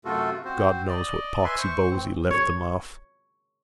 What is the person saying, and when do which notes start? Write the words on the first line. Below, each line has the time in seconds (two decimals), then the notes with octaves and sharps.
God knows what poxy bowsy left them off.
0.05 F#2 C3 A3 F4 F#4 A4
0.45 C4 F#4 C5
0.88 D5 D#5
1.44 B4 E5 G#5 C6
1.58 C5 C#6
1.90 A2 E3 C4
2.31 C#5